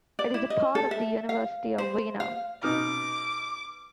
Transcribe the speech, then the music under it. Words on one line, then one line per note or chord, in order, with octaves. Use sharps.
It is a part of the University of Vienna.
D5
E4
D#5
A4
E5
F5
C5
F5
B2 D#4 D6 F6